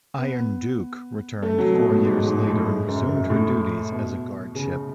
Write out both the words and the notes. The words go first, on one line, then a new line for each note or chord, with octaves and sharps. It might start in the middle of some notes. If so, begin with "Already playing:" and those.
"Iron Duke" returned four years later and resumed her duties as a guardship.
B3
A3
F#3
B2
A2
G#2
G#2
A2
G#2
F#2
F#2
A2
B2
C#3